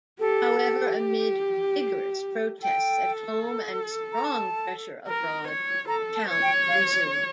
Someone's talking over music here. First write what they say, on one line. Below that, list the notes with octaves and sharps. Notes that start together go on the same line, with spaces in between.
However, amid vigorous protests at home and strong pressure abroad, the count resumed.
G4 A4
G4
A4 G5
A#5
A5
A#4
C#5
A4 A#5
A5
C#5
G5
F5